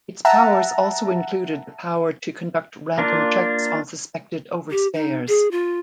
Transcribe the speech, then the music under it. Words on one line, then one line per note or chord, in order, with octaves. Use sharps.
Its powers also included the power to conduct random checks on suspected overstayers.
E5 F#5 A5 A#5
A#3 D4 F4
G4
D#4
G#4
F4